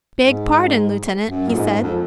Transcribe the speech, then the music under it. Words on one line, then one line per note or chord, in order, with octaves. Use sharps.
"Beg pardon, lieutenant," he said.
G#2
F#2
A#2
G#2
F2